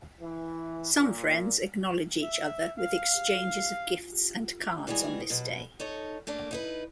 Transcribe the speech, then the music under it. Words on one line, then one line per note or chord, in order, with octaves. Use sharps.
Some friends acknowledge each other with exchanges of gifts and cards on this day.
E3
A#2
E5
F5
E3 G3 G#3 F#4 G#4
B2 F#3
D#4 A4 C#5
A3 A#3 D4
D#4 E4 B4